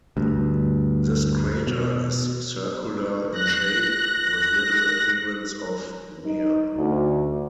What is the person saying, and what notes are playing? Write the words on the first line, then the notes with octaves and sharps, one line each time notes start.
This crater is circular in shape, with little appearance of wear.
D2 G2
B2
F#6 A#6
D#4
D2